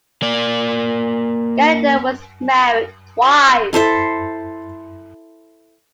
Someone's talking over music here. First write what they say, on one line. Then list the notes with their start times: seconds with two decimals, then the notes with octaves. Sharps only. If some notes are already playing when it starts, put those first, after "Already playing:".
Galindo was married twice.
0.22 A#3 D5
3.73 E4 A4 C5 E5